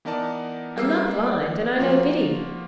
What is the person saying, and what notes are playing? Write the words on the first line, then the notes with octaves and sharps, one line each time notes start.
'I'm not blind, and I know Biddy.
E3 B3 D#4 A#4 D5 A5
G3 A#3 G#4 B4 E6 C7
D5
F3 A#3 F4 F#4